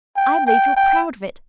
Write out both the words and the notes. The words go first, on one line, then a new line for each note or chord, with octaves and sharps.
I believe you're proud of it.
G5
G5
G5